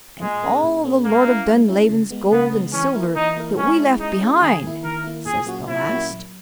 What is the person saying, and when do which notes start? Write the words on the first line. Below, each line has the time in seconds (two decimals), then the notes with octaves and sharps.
"And all the Lord of Dunlavin's gold and silver that we left behind," says the last.
0.21 A#2 G#3
0.43 A#3 C#4 G#4
0.63 A#2
0.85 A#3 C#4 G#4
1.05 G#3 A#3
1.26 C#4 E4
1.48 G#3
1.68 C#4 E4
1.89 C#3
2.11 G#3 B3
2.32 C#3 B3
2.53 G#3 B3
2.73 E3 C#4
2.94 A#3 E4 A#4
3.16 E3 D#4
3.37 A#3 E4 A#4
3.58 G#3 C#4
3.78 C#4 E4 G#4
4.00 G#3 D#4
4.21 C#4 E4 G#4
4.41 D#3 G#4
4.62 A#3 E4
4.83 D#3 A#4
5.04 A#3 E4
5.26 A#2 G#4
5.46 F#3 A#3 C#4 F#4
5.68 A#2 E4
5.88 F#3 A#3 C#4 F#4
6.10 F#3